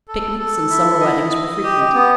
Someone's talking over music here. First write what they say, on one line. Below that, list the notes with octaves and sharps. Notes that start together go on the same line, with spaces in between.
Picnics and summer weddings were frequent.
A4
A4
E4
D#5
D#5
G4
B3